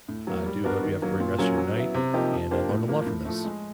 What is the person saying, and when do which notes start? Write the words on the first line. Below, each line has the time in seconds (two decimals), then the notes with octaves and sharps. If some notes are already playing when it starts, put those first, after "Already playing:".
I do hope you have a great rest of your night, and I learned a lot from this.
0.08 A2
0.27 F#3 A#3
0.46 G3
0.64 B3 D4 F#4 A#4
0.82 D#3
1.02 F#3 A#3
1.20 A#2
1.39 F#3 A#3 C#4
1.58 F#3
1.76 B3 E4
1.94 C3
2.14 F3 A#3 D#4 G4
2.33 F3
2.51 A#3 D4 G4 C5
2.69 A2
2.88 F3 A#3
3.06 A2
3.25 F3 A3
3.44 G#3